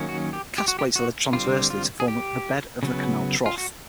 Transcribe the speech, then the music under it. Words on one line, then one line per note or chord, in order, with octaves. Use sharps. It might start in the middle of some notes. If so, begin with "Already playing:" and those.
Cast plates are laid transversely to form the bed of the canal trough.
Already playing: D#3 F#3 A#3 C#4
F#4
G4
G4
F#4
G4
F#4
D3 G3 C4 F4
F4
G#4
G4
C#3 F#3 B3
F4
F#4